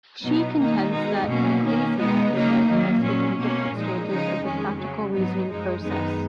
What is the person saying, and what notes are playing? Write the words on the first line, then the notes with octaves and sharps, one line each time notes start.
She contends that akrasia is manifested in different stages of the practical reasoning process.
B2 F#3 B3 D#4
D#3 A#3 D#4
B2 G#3 D#4
B2 F#3 A#3 C#4
D#3 A#3 C#4
B2 G#3 B3 D#4
C#3 F#3 A#3 D#4
D#3 F#3 A#3
A#2 F#3 C#4
B2 A#3 C#4
A#2 F3 G#3 D#4
C#3 F3 G#3 D#4
F2 D#3 G#3 C#4
C#3 F#3 C#4
G#2 F#3 B3 D#4
F#2 F3 G#3 D#4
F#2 D#3 G#3 B3 D#4